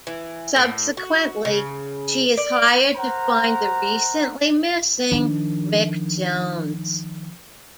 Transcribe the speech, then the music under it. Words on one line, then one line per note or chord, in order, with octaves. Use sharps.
Subsequently she is hired to find the recently missing Rick Jones.
E3
A2
F#4
C#3
D5
A#4 C5 F#5 A#5
D#3 F3 D4